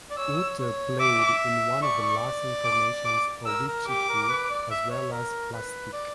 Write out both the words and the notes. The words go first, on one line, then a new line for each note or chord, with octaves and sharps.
Utter played in one of the last incarnations of Witchypoo, as well as Plastique.
D5
C#5 E6
C#5
E5 D6
D5 C#6
D6
D6
A#4 E6
A#4
G4 D6
A#4
B4
D5
E5
C#5
A#4
B4
D5